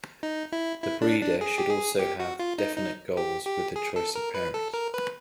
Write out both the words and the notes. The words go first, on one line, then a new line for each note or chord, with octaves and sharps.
The breeder should also have definite goals with the choice of parents.
D#4
E4
E4
D4
D4
G#4
G4
G#4
G4
F#4
F4
D#4
D#4
G4
G4
G#4
A4
A#4
B4
A4
A#4
B4